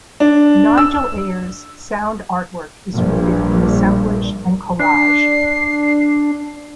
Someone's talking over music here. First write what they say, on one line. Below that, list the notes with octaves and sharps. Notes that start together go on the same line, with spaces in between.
Nigel Ayers' sound art work is rooted in assemblage and collage.
D4
E6
A#1 G2
D4 C7